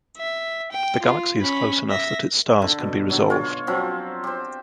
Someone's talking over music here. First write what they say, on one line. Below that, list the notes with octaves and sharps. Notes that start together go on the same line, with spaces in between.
The galaxy is close enough that its stars can be resolved.
E5
G5
F4
C#4 B5
E5 A#6
D3
B2
D3 F#3
F4 C#5
F3 F#3 C4 F4
G4 C5